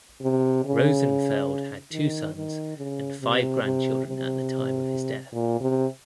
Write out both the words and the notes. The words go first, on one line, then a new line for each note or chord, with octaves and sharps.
Rosenfeld had two sons and five grandchildren at the time of his death.
C3
C#3
D#3
D#3
C#3
C3
C3
C3
A#2
C3